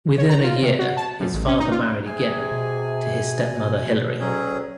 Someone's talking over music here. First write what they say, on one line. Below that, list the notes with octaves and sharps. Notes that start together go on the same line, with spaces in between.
Within a year, his father married again to his step-mother, Hilary.
C#5
A#5
F4
C3
F#4
A5
F#2
A1
C#4
D#4
F4
C3 G#4 G#5
B2
D2 D#3 F#3 C#4 G#4